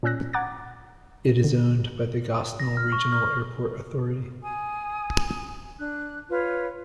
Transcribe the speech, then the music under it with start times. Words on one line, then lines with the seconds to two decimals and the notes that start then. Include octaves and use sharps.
It is owned by the Gosnell Regional Airport Authority.
0.03 A#2 C#4 D5 E6 F#6 A#6
0.33 F#5 A#5 D6 F#6 G#6 A6
1.44 D3
2.60 A#6
2.77 F6
2.92 C#6
3.12 F6
4.42 G#5 D#6
5.78 D4 F#6
6.30 F4 B4 C#5